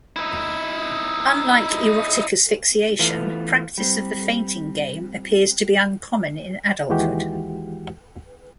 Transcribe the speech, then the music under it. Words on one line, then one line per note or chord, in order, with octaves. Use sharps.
Unlike erotic asphyxiation, practice of the fainting game appears to be uncommon in adulthood.
D#4 E4
E3 A3 B3 F4
G3 C4
D#2 E3 G#3 F#4 G4